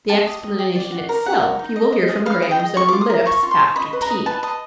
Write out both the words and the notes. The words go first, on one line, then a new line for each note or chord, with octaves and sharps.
The explanation itself you will hear from Graham's own lips--after tea.
G4 A5
D#5
D#5
G4
D5
F#4
A#4
A#4 F#5
A#4
D#4
D#5
D#5
G#4
B4 F5
G#4
G5
D#5
F4 C#6
D6
F4
D#6
A#4
C#5 C#6
F4
C6
C#5
D#5 B5
B4
A#5
D#5
B4 A5
D#5 A5